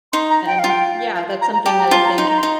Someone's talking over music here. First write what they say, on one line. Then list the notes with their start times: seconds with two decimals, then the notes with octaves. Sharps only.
and yeah, that's something that I think
0.13 D#4 C6
0.30 A#5
0.47 G5
0.59 F4 F5
0.70 G5
1.15 F5
1.41 A#5
1.53 A#5
1.66 G4 A5
1.79 A#5
1.91 F4 A5
2.05 A#5
2.18 D#4 C6
2.28 A#5
2.38 C6
2.43 D#4